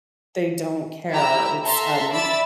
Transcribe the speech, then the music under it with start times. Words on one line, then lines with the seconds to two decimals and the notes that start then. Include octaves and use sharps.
they don't care. It's, um
1.10 E4 G4 A#5 E6
1.64 A4 E5 A5 A#5 C6
2.11 D5 E5 B5 E6 A6